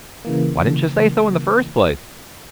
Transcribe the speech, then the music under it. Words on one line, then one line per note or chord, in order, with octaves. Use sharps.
Why didn't you say so in the first place?
C#3 E3 A#3